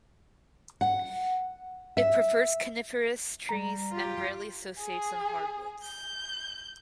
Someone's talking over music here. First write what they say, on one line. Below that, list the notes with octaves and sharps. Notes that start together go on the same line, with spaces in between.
It prefers coniferous trees and rarely associates on hardwoods.
F#5
E5
G3 A#5
F4 G4
G#4
G6